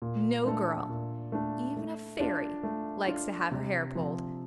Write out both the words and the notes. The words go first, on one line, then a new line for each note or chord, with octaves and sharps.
No girl, even a fairy, likes to have her hair pulled.
A#2
A3 D4 A4
A#2
A3 D4 A4
A3
D4 F4
A3
D4 F4
C3
F3 C4